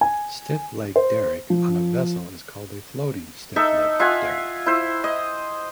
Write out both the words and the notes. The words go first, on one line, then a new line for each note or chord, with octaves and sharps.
Stiffleg derrick on a vessel is called a floating stiffleg derrick.
G#5
C5
F3
D#4 A4 E5
F4 E5 F#5 G#5
E4 C5
D#5